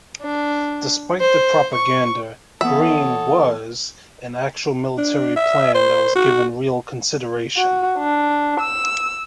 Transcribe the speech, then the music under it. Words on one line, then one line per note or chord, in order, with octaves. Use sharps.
Despite the propaganda, Green "was" an actual military plan that was given real consideration.
D4
C5
C#6
E3 B3 A4 C#5 E5 F#5 D#6
D4
E5
C5
F#4
F#4
D4
E6